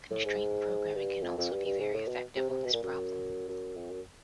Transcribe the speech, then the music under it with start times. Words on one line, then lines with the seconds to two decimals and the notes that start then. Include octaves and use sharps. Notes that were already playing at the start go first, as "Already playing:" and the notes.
Constraint programming can also be very effective on this problem.
0.10 A2
0.25 G#2
0.95 G2
1.23 F2
1.38 F2
1.51 G2
1.66 G2
1.80 G#2
1.94 A2
2.08 B2
2.36 C3
2.50 C3
2.64 B2
2.73 A#2
2.83 F#2
3.48 F#2
3.76 F2
3.91 F#2